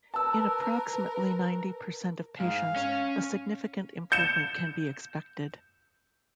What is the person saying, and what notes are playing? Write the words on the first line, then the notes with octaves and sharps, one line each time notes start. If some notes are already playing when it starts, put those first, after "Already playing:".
In approximately ninety percent of patients, a significant improvement can be expected.
A#4 B4 A5 E6
G#2 F5
C#4
G6 C#7 E7